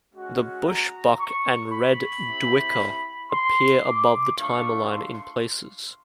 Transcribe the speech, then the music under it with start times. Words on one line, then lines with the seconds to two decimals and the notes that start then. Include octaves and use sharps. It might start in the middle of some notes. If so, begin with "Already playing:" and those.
The bushbuck and red duiker appear above the timerline in places.
0.14 G#3 C#4 F#4
0.66 A#5
1.19 C#6
1.72 B5
2.25 C4 E4 G4
3.31 C6
3.85 D6
4.37 A3 D4 F4 C#6
4.90 C6